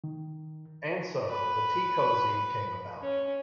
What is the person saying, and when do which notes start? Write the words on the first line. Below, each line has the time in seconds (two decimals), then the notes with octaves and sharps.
And so, the tea cosy came about.
0.04 D#3
1.29 B4
3.02 C#4